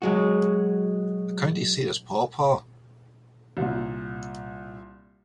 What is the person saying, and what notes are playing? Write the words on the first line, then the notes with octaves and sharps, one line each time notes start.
The county seat is Paw Paw.
F#3 G#3 F#4
C2 A#2